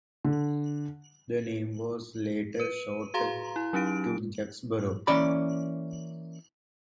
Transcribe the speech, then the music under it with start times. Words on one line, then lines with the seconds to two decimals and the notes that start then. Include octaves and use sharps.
The name was later shortened to Jacksboro.
0.24 D3
2.60 B4 D#7
3.14 F#4 G#4 F5 A#5 C6
3.56 E4
3.73 F#3 C#4 D#4 G4 D7
5.07 E3 A#3 C#4 D5 B5